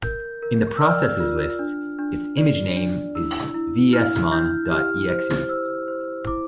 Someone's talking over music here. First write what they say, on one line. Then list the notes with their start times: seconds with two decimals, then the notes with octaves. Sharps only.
In the processes list its Image Name is "vsmon dot exe".
0.03 A#4 G6
0.42 A#4
0.77 E6
0.81 D5 F6
1.20 F4
1.59 D4
1.99 D4
2.37 D5
2.76 D4
3.15 E4 E6
3.54 E4
3.93 E4 F6
4.32 E4 G6
4.71 G4 F6
5.10 C5
5.49 C5 E6
5.88 C5
6.27 E4 D6